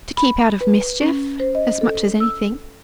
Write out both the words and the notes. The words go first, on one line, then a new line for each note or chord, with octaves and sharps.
'To keep out of mischief, as much as anything.'
B5
B4
C#4
C5
D#5
A4
E6